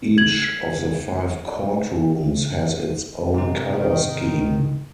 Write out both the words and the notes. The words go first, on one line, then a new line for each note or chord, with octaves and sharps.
Each of the five court rooms has its own color scheme.
G#6 F#7
G#2 C3 D#4
D#3